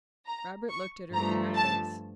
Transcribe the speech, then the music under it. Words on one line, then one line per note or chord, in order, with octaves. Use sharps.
Robert looked at her eager face.
A#5
C#6
G2 F3 A3 A#5
A5